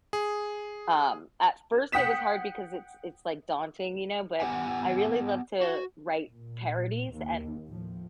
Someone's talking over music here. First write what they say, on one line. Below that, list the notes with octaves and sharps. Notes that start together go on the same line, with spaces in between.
Um, at first, it was hard because it's it's, like, daunting, you know, but, I really love to write parodies and,
G#4
F#5 G5 D#6 B6 E7
B3 G4 F#5 G#5
F#4
A#2
D#2
A2 F3